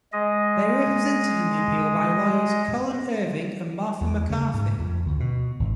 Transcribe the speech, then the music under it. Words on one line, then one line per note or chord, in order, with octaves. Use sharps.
They were represented in the appeal by lawyers Colin Irving and Martha McCarthy.
G#3 D#5
E2
C#3
G#2
F2
D2
B2
G#1